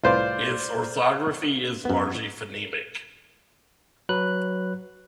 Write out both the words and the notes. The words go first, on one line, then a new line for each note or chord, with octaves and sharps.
Its orthography is largely phonemic.
C2 A2 F4 B4 C5 D5
F#2 B3
F#3 B4 F#6